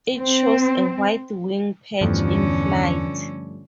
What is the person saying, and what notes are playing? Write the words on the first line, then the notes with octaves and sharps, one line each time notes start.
It shows a white wing patch in flight.
C4
E2 G2 D3 F3 A3 C#4